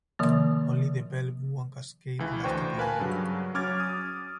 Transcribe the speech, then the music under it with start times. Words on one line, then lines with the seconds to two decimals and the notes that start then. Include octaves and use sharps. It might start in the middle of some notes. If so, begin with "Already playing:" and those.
Only the Bellevue and Cascade lasted longer.
0.19 C3 D#3 F3 A#3
2.19 C#2 E3
2.44 D2 D4 C5 G5 C#6
2.78 A#4 B4 F5 G#5 A5
3.00 G2 C#3 F#3
3.54 F#3 C#4 D6 F6 G#6 A6
3.80 D#6